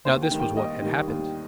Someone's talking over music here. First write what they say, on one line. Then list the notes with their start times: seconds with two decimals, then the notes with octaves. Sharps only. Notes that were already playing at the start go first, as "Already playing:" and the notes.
Now this was what had happened.
0.05 D#2 C5
0.22 G5
0.31 D#3 G3
0.39 G5
0.57 D#2 D#5
0.82 D#3 G3
1.08 D#2